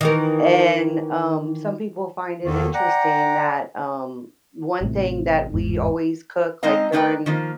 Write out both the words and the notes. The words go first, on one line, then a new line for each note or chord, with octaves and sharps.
and, um, some people find it interesting that, um, one thing that we always cook, like, during
D#3 E3 A#4
E2 D#3 A#3 A4
D5 F#5 G5 A#5
A1 A2 C3
G1 E2 G#2
G#3 C4 D#4 D#5 F5
A3 D4 D#4 B4 D5 G5
D#3 F3 A#3